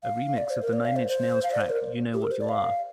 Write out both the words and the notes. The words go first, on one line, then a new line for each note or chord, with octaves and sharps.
A remix of the Nine Inch Nails track You Know What You Are?
F5
D5
C5
A#4
D5
F5
C5
C5
F5
D5
C5
A#4
G4
A#4
C5
D5
F5